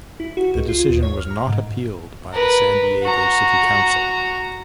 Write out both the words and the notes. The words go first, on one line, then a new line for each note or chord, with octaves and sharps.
The decision was not appealed by the San Diego City Council.
E4
F#4
C#2
F4
D#2
C#5
F6
A#5
G#2
A#4 B4
F#4 A#5